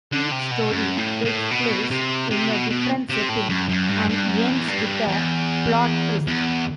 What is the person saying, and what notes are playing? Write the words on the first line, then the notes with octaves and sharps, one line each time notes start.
Each story takes place in a different setting and ends with a plot twist.
D3
C3
B2
F#2
A2
A2
B2
C3
C3
B2
B2
C3
A2
F#2
F#2
G2
G2
F#2
E2
G2
E2
E2